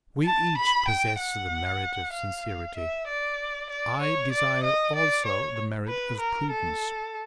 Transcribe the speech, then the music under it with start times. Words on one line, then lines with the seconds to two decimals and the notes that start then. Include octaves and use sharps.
We each possess the merit of sincerity; I desire also the merit of prudence.
0.25 A5
0.57 B5
0.88 G5
1.19 F#5
2.13 F5
2.76 E5
3.08 D5
3.70 D5
4.01 C#5
4.32 D5
4.63 D#5
4.95 D5
5.26 C#5
5.88 B4
6.19 A#4
6.51 A4